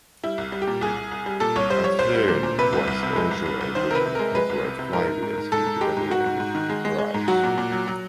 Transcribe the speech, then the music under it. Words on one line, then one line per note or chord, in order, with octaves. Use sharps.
Athearn was also able to incorporate flywheels into double-ended drives.
G3 E4
C2
G3
G4
A#2
C2 G#4
C2
C2
G3
A#2 A4
C2 C#5
G3 C5
G3 C#5
C2 C5
G3
A#2
A#2
C3 B4
C2
C2
C3
G#3
C2
C2
C2
D#3 C5
C3 A#4 B4
C3
G#3 A#4
G#3 B4
C2
C3
C3
G#2 A#4
G#2
G#2
G#2
G#2 A4
G#2
G#3 G4
G#2
G#2 F#4
G#2
G#2
D#3
G#3
G#3
G#3
G#2
F#3 F#4
A#2
A#2
F#3
F#3